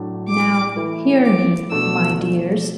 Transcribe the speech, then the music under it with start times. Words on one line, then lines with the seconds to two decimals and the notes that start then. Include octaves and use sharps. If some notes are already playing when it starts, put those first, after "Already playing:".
Now, hear me, my dears!
Already playing: A2 F#3 D4
0.28 D6
0.76 E3 A3 E4 B4
1.23 D6
1.71 B2 A3 D4 E6